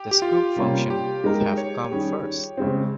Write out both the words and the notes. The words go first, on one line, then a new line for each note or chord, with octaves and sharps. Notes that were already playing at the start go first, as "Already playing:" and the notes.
The scoop function would have come first.
Already playing: G4
G4
F4
C3 G3 A#3 C#4
G4
G#3 D#4 A#4
C#5
D#3 G3 C#4 G#4
C#3 G#3 C4